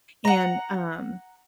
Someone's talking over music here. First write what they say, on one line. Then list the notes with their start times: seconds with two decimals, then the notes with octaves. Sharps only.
and, um,
0.25 F#5 A#5